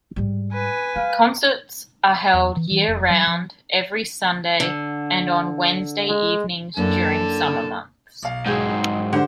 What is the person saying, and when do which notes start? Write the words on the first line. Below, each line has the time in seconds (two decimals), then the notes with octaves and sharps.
Concerts are held year round every Sunday and on Wednesday evenings during summer months.
0.16 G#2 G3
0.53 B4 G#5
0.96 G#3 F5
2.34 E2
2.57 E3
2.71 E3
2.88 F1
3.11 F#3
3.27 F3
4.60 D3
6.08 G#3
6.77 F#2 D3 A#3 E4 A4 A5
8.23 B1 F5
8.46 G#2 F#3 G#4 C5 G5
8.68 D#4
9.13 D3 G4 C5 F#5